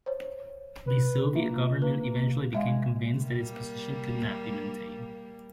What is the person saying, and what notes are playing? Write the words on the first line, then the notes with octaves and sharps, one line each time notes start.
The Soviet Government eventually became convinced that its position could not be maintained.
C5 C#5
B4
A#3 F4 E5
A#3 B4
G#3 E5 F5
G3 A#3